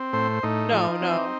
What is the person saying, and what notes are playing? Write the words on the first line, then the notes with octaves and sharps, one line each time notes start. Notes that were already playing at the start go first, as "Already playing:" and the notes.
No, no.
Already playing: C4
A2 C5
A2 D#4
F3
C4